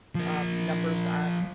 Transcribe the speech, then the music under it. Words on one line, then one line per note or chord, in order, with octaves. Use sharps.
um, numbers on
F3 A#4